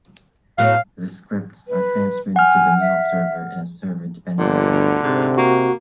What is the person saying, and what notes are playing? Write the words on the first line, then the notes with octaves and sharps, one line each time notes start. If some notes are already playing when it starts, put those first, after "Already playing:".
The scripts are transferred to the mail server in a server-dependent way.
A2 F#3 B3 F5
B4
F#5 G#5 F6
E5
G1 A#2 D3
D2
G#2 C3
A#3 F#4